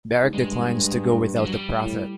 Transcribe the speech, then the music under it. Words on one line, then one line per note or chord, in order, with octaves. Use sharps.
Barak declines to go without the prophet.
G#2
G2 G#3
F3
F#3
G3
A2